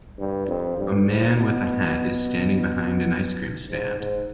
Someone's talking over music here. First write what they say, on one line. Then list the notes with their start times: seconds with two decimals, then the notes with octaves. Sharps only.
A man with a hat is standing behind an ice cream stand.
0.19 G2
0.48 F2
0.77 G2
1.06 G#2
1.36 B2
3.70 G#2
3.99 G#2